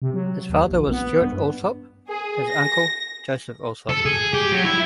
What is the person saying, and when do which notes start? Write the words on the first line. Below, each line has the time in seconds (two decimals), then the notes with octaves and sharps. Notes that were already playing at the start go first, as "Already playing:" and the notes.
His father was Stewart Alsop; his uncle, Joseph Alsop.
0.02 C3
0.14 F#3
0.50 D#2
0.71 A#1
0.91 B3
1.22 G2
2.08 G#4
2.49 A#6
3.89 A4
4.06 G#4
4.34 G4
4.52 F#3
4.65 E4